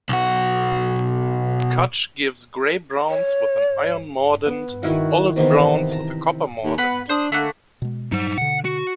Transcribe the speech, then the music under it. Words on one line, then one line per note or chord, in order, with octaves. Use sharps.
Cutch gives gray-browns with an iron mordant and olive-browns with a copper mordant.
B1 F#4
C#5
B3
D#3 E4 F#4
C3 D#3 E3 B3
A5 A#5
D#2
B3 B4 F#5 B5
D4 C5 D#6
D3 A3 A#3 F#5
B2 G#3
G2 F#3 G3 D#4 C5
B2 D3 F#5
F#4